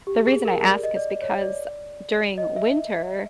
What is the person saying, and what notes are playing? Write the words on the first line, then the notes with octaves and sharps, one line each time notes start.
The reason I ask is because during winter,
G4
G#4
A#4
D5
D#5
D5
C#5
D5
D#5
E5